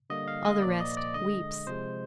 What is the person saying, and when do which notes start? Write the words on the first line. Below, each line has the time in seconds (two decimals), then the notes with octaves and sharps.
All the rest weeps.
0.10 D3 G3 A#3 D#5
0.28 F5
0.45 D#5
0.62 A#2 F3 A#3 D5
0.80 D#5
0.97 D5
1.14 D3 G#3 D#5
1.67 C3 F3 G#3 C5